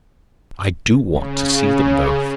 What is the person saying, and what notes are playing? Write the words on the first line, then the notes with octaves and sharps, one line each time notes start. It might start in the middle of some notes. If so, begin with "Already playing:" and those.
"I do want to see them both."
C#3